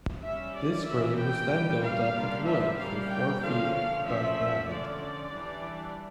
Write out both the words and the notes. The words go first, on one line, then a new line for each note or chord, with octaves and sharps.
This grave was then built up with wood for four feet above ground.
G3 C#4 E5
D5
E3 A#3 C#4 E5
G5
G3 C#4
F5
D3 G3 A#3 D4
E5
G3 A#3 C#4 F5
G5
D3 F3 A#3 C#4 F5
F3 A3 C#4 E5
D3 F3 C#4 D5
E3 G3 D4